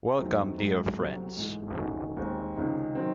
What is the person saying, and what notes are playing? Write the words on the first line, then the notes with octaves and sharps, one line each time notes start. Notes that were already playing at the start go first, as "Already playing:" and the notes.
Welcome, dear friends.
E2 D#3 F#3 A3 C4
G#2 F#3 A3
C2 C3 F#3 A3
G#2 E3 A3
D#3 A3 C#4 F#4
D#2 D#3 G#3 C4
C#2 C3 D#3 G#3 D#4
D#3 F#3 C4